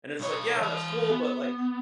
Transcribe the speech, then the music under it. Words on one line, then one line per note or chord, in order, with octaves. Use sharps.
And it's like, yeah, that's cool, but like,
B1 C#5
E3 F5
B3